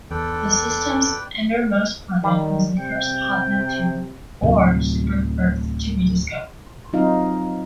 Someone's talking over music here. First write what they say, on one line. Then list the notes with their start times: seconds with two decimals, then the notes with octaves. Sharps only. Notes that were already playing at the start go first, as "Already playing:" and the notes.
The system's innermost planet was the first 'hot Neptune' or 'super-Earth' to be discovered.
0.11 E2 A4 B4 D5 G5
2.24 D#3 G3
2.78 C3 G5
4.42 D2 A2 C3 F#3
6.93 F#3 C4 D#4 F4 F5